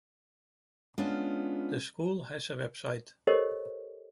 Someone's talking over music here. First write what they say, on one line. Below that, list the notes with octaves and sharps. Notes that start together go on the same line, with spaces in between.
The School has a website.
G#3 B3 C#4 D4 F4
G4 A4 A#4 C5 C#5 D#5